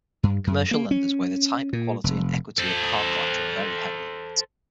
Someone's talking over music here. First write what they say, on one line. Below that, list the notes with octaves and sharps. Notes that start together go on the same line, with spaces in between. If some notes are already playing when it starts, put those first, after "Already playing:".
Commercial lenders weigh the type, quality, and equity of the hard collateral very heavily.
G2
F#2
A#3
C#4
A#2
F1
A4 C5